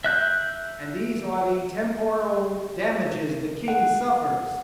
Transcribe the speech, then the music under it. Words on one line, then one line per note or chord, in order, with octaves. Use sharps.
And these are the Temporal Dammages the King suffers.
E5 F#6 G6
F#5